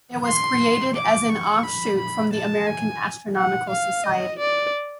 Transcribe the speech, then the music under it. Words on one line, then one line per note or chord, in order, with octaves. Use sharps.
It was created as an offshoot from the American Astronomical Society.
C6
D6
C#6
B5
B5
A5
G#5
F#5
F5
D#5
D5